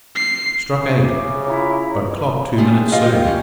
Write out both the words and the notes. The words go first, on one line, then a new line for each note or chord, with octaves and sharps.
"Struck eight; but clock two minutes soon."
C7
C#3 E5 D6
E4 F4 C#5 A#5
G3 A3 F4 G#4
G3 F4 G4 C5 D#5 F5
F4 G5
G3 C#4